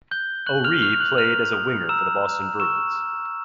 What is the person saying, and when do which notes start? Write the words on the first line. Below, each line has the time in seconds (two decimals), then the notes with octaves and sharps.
O'Ree played as a winger for the Boston Bruins.
0.11 F#6 G6 G7
0.46 C#6 F#6 F#7
0.64 F6 F7
0.82 C#6 F6 F7
1.00 F#6 F#7
1.18 A#5 F6 F7
1.53 D#6
1.89 A#5 E6 E7
2.25 A#5
2.60 C#6 E6 E7
2.96 C#6